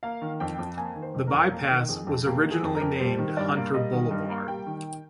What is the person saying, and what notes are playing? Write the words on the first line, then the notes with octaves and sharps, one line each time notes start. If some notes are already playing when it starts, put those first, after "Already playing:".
The bypass was originally named Hunter Boulevard.
A#3 F5
D#3
F2 G5
F2
A#3 G#5
D#3
C5
F2
A#4
F2
A#3
D#3
F2 G#4
F2
A#3 G4
D#3
G#4
F2
A#4
F2
G3 C5
D#3
G2 D5
A#3
G3 D#5
D#3
G2
A#3
G3 G5
D#3